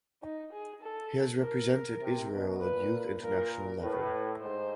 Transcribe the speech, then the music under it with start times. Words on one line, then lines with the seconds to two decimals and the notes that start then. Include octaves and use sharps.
He has represented Israel at youth international level.
0.23 D#4
0.53 G#4
0.82 A4
1.42 A#4
2.01 C3
2.32 B2
2.62 A#2 B4
3.21 A#2 A#4
3.81 A2 B4
4.40 G#2 C5